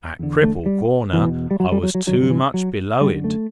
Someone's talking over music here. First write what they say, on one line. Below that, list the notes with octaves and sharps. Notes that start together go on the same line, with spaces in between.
At Cripple Corner, I was too much below it.
E2 D3
A3
G3
E2 B2 E3
G3
F#3
G3
F#3
F#3
G2 D3 F#3
F#3
E3
F#3
F#2 D3 G3
A3